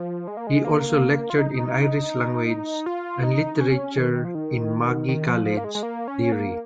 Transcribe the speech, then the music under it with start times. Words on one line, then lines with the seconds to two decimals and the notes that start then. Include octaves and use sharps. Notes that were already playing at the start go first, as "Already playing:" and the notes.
He also lectured in Irish language and literature in Magee College, Derry.
Already playing: F3
0.28 G#3
0.37 A#3
0.47 G#3
0.65 A#3
1.30 F4
1.38 D#4
2.86 F4
3.23 D#4
3.56 D#4
3.61 C#4
3.98 D#3
4.25 F3
4.35 D#3
5.09 D#3
5.27 F3
5.46 F3
5.57 A#3
5.64 G#3
5.75 G#3
5.83 A#3
6.08 C#4
6.32 A#3